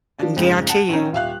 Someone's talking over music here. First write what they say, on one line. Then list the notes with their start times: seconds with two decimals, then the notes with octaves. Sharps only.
I can guarantee you,
0.19 F3 D4
0.37 F2 G#2 C#3
0.69 F#5 A5
0.89 A#1 C#4 D#4
1.13 D#1 E5 F5 F#6